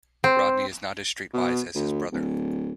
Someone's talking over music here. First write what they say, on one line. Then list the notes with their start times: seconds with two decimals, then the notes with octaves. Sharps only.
Rodney is not as streetwise as his brother.
0.24 C4
1.33 B2
1.75 D2
2.12 D1